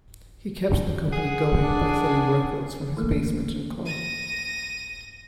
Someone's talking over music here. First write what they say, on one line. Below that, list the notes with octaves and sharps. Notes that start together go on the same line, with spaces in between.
He kept the company going by selling records from his basement and car.
G#4 F#5
D4
E3 A3 A#3
A#6 D#7